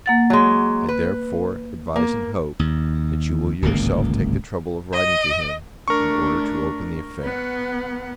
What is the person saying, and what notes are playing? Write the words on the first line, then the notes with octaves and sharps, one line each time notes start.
I, therefore, advise and hope, that you will yourself take the trouble of writing to him, in order to open the affair.
A#3 F#5 A6
F#3 G#3
B4
A#3
D#2
D1 G#1 C#2 A#3
D#5
A3 D4 A#4 C#6
B3 F#5